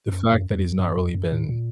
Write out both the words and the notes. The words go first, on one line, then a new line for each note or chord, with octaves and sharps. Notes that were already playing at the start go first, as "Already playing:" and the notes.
the fact that he's not really been
F#2
F#2
F#2
F2
F#2
F2
F#2
A2
A#2